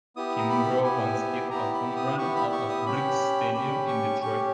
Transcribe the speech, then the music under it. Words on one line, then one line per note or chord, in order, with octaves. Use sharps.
Kimbro once hit a home run out of Briggs Stadium in Detroit.
B3 E4 G4 D#6
A#5
B5
B3 E4 G4 G#5
B3 E4 G4 A#5
B5
D#6
B3 E4 G4 C#6
B5
C#6
D#6
C#4 G4 B5
C#4 G4 B5
C#6
C#4 G4 C#6